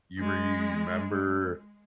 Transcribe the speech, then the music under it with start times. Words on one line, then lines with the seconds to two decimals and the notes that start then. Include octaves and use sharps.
you remember,
0.19 G#3